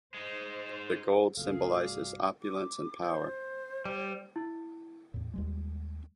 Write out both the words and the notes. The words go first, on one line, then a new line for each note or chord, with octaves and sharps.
The gold symbolizes opulence and power.
G#3 D#4 C5
F#1 C#2 A3 B3 G#4 A4 F5
C2 G2 F#4 D5 D6
D6
C5
G3
E4
E2 A2
D#2 G3 G#3